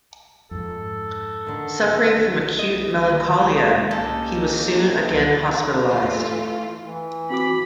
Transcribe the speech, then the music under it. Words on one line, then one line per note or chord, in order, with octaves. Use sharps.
Suffering from acute melancholia, he was soon again hospitalized.
F2 G#2 A4
D3 D#3
D#5
D#2
D#3
G#3
A#3 C#4 D#4 G4 A4 G#5
E3 A3 F4
E3
C4 F#4 B5 D6